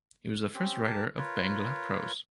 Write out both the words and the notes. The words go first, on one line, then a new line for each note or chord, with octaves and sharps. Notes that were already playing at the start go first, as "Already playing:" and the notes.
He was the first writer of Bangla prose.
C4 C#4 G4
G4 A#4 A5
F4 A#4 B4 C#5